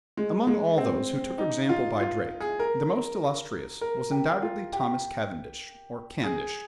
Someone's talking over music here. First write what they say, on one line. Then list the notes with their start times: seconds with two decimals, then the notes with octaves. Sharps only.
Among all those who took example by Drake, the most illustrious was undoubtedly Thomas Cavendish or Candish.
0.17 G#3
0.47 G#3
0.78 C4
1.38 D#4
1.69 F4
2.00 F4
2.40 G#4
2.60 A#4
3.81 A#4
4.11 G4
4.42 F4
4.73 G4
6.24 G#4